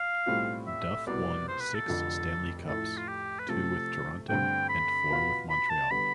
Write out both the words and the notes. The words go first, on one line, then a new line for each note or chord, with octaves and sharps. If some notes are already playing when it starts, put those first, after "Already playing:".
Duff won six Stanley Cups, two with Toronto and four with Montreal.
Already playing: F5
B1 A2 G3 C4 F4
E5
C2 B2 B3 E4 D5
C5
B4
A4
F1 F2 D3 F3
A2 F3 A3 E4 A4
F4
G4
B4
C3 F3 A3 A4
G2 D3 A3 C4 G5
B5
B2 B3 F4 B4 F5
B5
A5
D3 G3 B3 B5